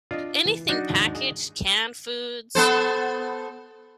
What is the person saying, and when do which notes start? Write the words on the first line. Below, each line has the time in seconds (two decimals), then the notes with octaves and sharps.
anything packaged canned foods,
0.11 D4 F4 D5 D#5
0.45 E3
0.69 F#3 D4 D#4 F#4 D#5
0.90 D#2 G#2
1.15 G#4 D#5
2.55 B3 A4 C5